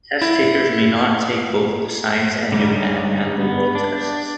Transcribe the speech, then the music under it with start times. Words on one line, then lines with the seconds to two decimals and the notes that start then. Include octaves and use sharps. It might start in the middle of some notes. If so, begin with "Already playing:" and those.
Test-takers may not take both the Science and Japan and the World tests.
0.22 E4
2.52 D3 G3 C#4 D#4
3.42 B3
3.75 D4
3.94 D4